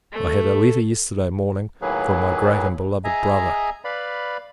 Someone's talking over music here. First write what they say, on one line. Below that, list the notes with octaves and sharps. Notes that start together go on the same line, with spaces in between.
I had a letter, yesterday morning, from my great and beloved Brother.
A3
D#2 A2 F#3 A#3 G#4 B4
G#4 D#5 E5 G#5 A#5
B4 D5 F5 B5